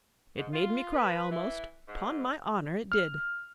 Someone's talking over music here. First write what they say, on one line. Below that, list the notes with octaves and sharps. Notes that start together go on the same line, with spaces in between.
"It made me cry almost; 'pon my honour it did."
G#2
F4
B4
E3
G#2
F6